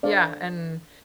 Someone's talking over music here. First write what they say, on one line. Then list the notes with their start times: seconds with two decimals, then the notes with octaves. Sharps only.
Yeah, and
0.03 D4 A4 C5 D5 F5